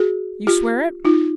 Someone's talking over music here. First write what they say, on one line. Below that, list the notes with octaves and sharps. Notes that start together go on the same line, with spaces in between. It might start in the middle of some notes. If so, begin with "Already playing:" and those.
You swear it?'
Already playing: F#4 G#4
F4 G4
D#4 F4